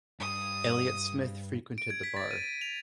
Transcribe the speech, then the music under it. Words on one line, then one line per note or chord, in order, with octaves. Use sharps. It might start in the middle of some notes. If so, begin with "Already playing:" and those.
Elliott Smith frequented the bar.
G2 D#6
D7
G#6
B6
A6
D#7
F7